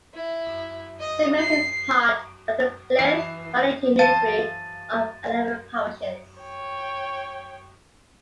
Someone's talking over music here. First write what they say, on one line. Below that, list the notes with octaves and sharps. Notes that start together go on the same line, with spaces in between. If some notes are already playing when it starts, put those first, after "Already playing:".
Saint Mary's is part of the Blyth Valley Team Ministry of eleven parishes.
E4
D#5
C7
E3 C7
E3 C5 F5 A5 A6 D#7
C#5 G5